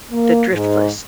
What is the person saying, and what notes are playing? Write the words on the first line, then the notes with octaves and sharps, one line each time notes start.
the Driftless
A#3
G#2